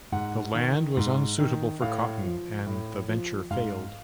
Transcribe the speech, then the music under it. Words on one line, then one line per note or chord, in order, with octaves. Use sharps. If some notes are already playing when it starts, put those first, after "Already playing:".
The land was unsuitable for cotton, and the venture failed.
G#2 F#5
D#3
G#2
D#3
A2 F5
F3
A2
F3
G#2 F5